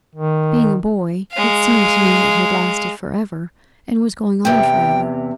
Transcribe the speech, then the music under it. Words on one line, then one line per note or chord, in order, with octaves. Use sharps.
Being a boy, it seemed to me it had lasted for ever, and was going on for ever.
D#3
G#3 F5
E2 C3 G5